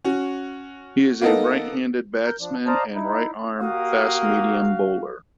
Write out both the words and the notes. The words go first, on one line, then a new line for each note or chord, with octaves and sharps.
He is a right-handed batsman and right-arm fast-medium bowler.
C#4 F#4
A#3 B3 D#4 A4
A#4 G6
F3 D4
C5 D5 D#5 F5 A5 A#5
D#4 E4
A#3 F#4 G4 F5 D#6